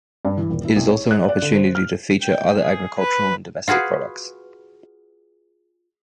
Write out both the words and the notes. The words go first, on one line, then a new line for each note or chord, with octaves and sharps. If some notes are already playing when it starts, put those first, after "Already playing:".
It is also an opportunity to feature other agricultural and domestic products.
G2
E3
D#1
E4
C2
C#5
F#6
D5
D3
C5
F6
G5
G#4
B4
F4 F#4 G#4 B4